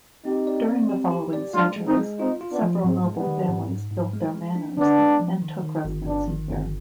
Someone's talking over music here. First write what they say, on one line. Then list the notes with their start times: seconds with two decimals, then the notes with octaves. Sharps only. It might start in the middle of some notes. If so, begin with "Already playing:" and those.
During the following centuries, several noble families built their manors and took residency here.
0.25 C4 D#4 G4
0.47 D5
0.69 C4
0.89 G4
1.11 G4
1.33 D5
1.54 G#3 D4 F4
1.76 G#3
1.86 C4 D#4
1.97 G#3
2.18 C4 D#4 F4
2.41 F4
2.51 B3 D4
2.62 F3
2.84 G#2 G#3 C4
3.04 G#3
3.16 G3 B3
3.27 D#3
3.48 G#2
3.69 G#2
3.91 G#2
4.13 G#3
4.34 G#3
4.55 D4
4.77 D3 B3 D4
4.98 G#3
5.20 F3
5.42 D#3
5.63 D#3
5.85 G1
6.06 G1 B3 D4
6.27 D#3
6.49 G1